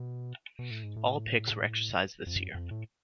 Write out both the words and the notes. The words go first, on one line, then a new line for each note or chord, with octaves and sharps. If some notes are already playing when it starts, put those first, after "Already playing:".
All picks were exercised this year.
Already playing: B2
B2
A2
G#2
A2
F2
F#2
F2
A2